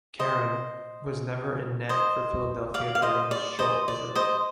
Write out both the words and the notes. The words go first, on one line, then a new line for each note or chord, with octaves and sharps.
Caron was never in net for Philadelphia during his short visit.
C5 D#5
C5 D#5
D5 F5
F5
C5 D#5
D5
C5 D#5
D5
C5 D#5